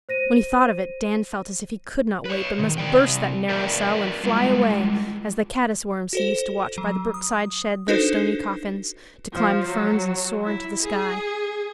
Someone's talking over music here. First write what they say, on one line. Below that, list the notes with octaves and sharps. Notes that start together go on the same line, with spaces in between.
When he thought of it Dan felt as if he could not wait, but must burst that narrow cell and fly away, as the caddis-worms he used to watch by the brookside shed their stony coffins, to climb the ferns and soar into the sky.
C5 A#6 D#7
B4 C#5
C3 D#3
C3 F3 D5 G5
A#4 B4 D5 E5 G5
G3 G#3 F4
F#4 A4 C5
F#3
D#6
D4 D#4 F#4 A4 B4 C5
F3
F#3
E4
G#4